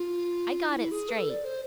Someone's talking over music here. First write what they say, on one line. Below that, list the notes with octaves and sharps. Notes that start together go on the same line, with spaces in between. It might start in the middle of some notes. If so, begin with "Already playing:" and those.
"I got it straight."
Already playing: F4
E4
G#4
B4
A4
D5
C5